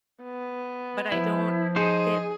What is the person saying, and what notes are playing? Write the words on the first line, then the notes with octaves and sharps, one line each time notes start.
but I don't v get
B3
F3 E4
D#4 G#4 C5